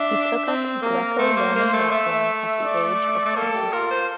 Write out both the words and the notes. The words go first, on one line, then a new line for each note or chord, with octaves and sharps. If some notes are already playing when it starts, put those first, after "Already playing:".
He took up Greco-Roman wrestling at the age of ten.
Already playing: D4 E5
C4
A#3 A#4
A3 C5
A#3
A#3
A3
A3 E5
D5
A3
A#3 A4
G4
F4 A#4
C5